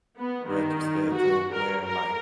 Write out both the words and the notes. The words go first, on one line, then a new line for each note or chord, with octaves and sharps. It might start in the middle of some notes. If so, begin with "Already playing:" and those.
retrospect to where, like,
B3
D#3
F#4
A#4
A#4